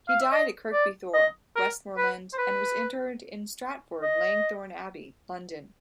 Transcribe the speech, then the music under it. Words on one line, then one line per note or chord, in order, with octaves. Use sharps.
He died at Kirkby Thore, Westmorland and was interred in Stratford Langthorne Abbey, London.
F5
E5
D#5
D5
D#5
A#4
B4
C5
B4
D#5